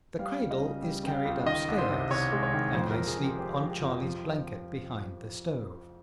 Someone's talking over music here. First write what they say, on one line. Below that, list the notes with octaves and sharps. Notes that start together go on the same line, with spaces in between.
The cradle is carried upstairs, and I sleep on Charlie's blanket behind the stove.
G3 F5
C#2
D#5
C#3
G3
C#3 G5
F5
C#2
D#3 D#5
C2
C5
C3
C2 C#5
G#3
C#5
D#3
F2 C5
A#4
F2
G#4
F2
G4
C4 G4
F3
G4
F2
F3
F3